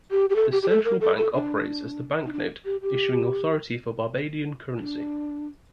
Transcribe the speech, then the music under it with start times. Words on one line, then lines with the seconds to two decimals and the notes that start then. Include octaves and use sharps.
The Central Bank operates as the banknote issuing authority for Barbadian currency.
0.11 G4
0.30 G4
0.36 A4
0.52 G4
0.62 G4
0.69 A4
0.85 A#4
1.01 A4
1.17 A4
1.34 D4
2.25 D#4
2.33 D4
2.65 G4
2.82 G4
4.78 D4